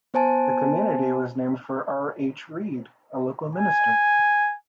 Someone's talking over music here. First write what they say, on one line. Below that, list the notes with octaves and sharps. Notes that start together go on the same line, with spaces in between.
The community was named for R. H. Reid, a local minister.
B3 C5 G#5 A5
G#5